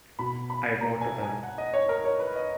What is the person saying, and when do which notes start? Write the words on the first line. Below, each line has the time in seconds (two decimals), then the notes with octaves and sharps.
I bow to them.
0.19 B2 B5
0.50 B5
0.81 A#5
1.01 G#5
1.23 G#5
1.43 F#5
1.58 D#5
1.74 C#5
1.89 A#4
2.05 C#5
2.20 B4
2.36 D#5